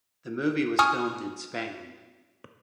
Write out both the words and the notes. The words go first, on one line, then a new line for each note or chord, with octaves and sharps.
The movie was filmed in Spain.
G#5 C#6 D#6 F6